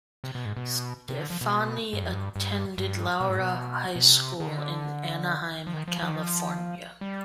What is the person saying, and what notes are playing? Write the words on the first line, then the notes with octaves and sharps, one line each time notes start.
Stefani attended Loara High School in Anaheim, California.
C3
B2
G#2
B2
C3
D3
F3
B2
G2
F2
G2
G2
G2
B2
G#2
B2
B2
C3
D#3
D3
F3
D#3
F3
F3
D#3
F3
G3